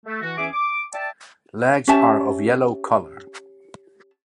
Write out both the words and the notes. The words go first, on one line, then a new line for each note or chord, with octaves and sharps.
Legs are of yellow colour.
A3
E3 F#4
E2 E3 C#4 G#4 E5 D6
D6
D5 E5 G5 A5
C#4 G4 E5 A5